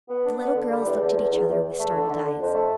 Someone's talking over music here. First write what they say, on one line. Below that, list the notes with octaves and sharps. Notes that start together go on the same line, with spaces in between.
The little girls looked at each other with startled eyes.
B3
D4
B3
D3
G3
E2
D3
E2
E2
E2
E2
A3
D3
D3
D3
F2
A3